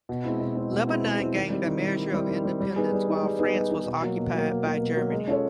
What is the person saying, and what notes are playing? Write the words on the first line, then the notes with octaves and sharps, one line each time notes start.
Lebanon gained a measure of independence while France was occupied by Germany.
B2
G#3 C4 E4
B2
G#3 C4 E4
B2
G#3 C4 E4
B2
G#3 C4 E4
D#3
G3 C4 E4
D#3
G3 C4 E4
D#3
G3 C4 E4
D#3
G3 C4 E4
G3
B3 D#4 G#4
G3
B3 D#4 G#4
G3
B3 D#4 G#4
G3
B3 D#4 G#4
B2
F#3 A#3
B2
F#3 A#3
B2
F#3 A#3
B2
F#3 A#3
G#3
C#4 F4 A4 C#5